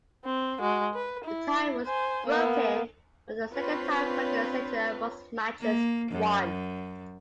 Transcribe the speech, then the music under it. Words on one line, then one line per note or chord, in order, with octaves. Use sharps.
The tie was broken from the "Second Tie Breaking Criteria: Most Matches Won".
C4
G#3 F#4
B4
E4
C5 G#5
A#3 B3
C4 D4 F4 B4 C#5
A#3
F#2